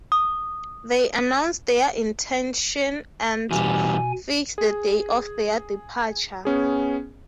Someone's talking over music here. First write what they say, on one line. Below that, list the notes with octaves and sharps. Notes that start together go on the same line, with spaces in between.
They announce their intention and fix the day of their departure.
D#6
E2 B2 G3 G#5
G#4
B3 C#4 G#4